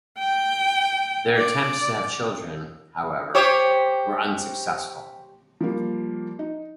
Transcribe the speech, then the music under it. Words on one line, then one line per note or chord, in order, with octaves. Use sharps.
Their attempts to have children, however, were unsuccessful.
G5
D5
G4 C5 C#5
F3 G3 A#3
D#4